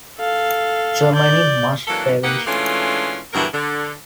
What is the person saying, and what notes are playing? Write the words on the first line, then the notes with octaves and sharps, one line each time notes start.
Germany Must Perish!
A4 F5
D5 G6
E3 F#3 A#3 D4 A4
A#3 D#4 G4 B4 F#5
E3 G#3 A3 C#4 D4 F4
G2 B2 D3 E3 F#3 A#4
D3